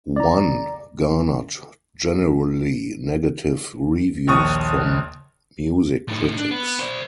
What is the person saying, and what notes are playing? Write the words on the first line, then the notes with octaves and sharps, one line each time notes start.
"One" garnered generally negative reviews from music critics.
D5 A#5
A#1 D#2 C#6 D#6
A2 D#4
D4
B3
C5 D5